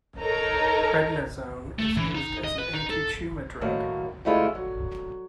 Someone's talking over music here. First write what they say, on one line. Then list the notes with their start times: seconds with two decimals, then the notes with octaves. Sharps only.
Prednisone is used as an antitumor drug.
0.19 D#4 A4 A#4 C#5 A#5
1.79 A3
1.97 E3
2.15 D#4
2.44 D#5
2.59 B4
2.73 D#4
2.90 A4
3.61 A2 D#3 F#3 A3 A#3
4.25 D2 G#3 A3 E4 F4 G#4
4.55 F#3